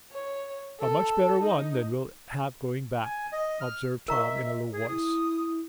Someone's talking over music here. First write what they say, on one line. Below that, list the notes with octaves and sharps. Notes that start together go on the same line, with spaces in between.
"A much better one than we'll have going back," observed Tom, in a low voice.
C#5
A4
D#4
G#5
D#5
F6
A#4 D#5 E5 A#5 C#6
G#4
E4 D#6